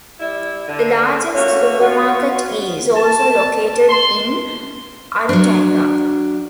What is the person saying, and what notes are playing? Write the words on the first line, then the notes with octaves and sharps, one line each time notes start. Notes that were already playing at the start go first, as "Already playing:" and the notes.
The largest supermarket is also located in Arutanga.
G3 E4
D3
A3 A#3 C#4 F#4
F4 F#4 B4 C#5
A5
C6
F#3 D4